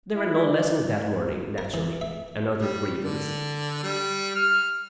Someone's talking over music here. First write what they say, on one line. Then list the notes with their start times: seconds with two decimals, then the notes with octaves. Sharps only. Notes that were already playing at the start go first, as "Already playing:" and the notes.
There were no lessons that morning, naturally--another grievance!
0.15 E4
0.38 D5
1.58 A#4
1.74 E3
2.01 E5
2.58 G3
2.99 D3
3.83 G3
4.35 F6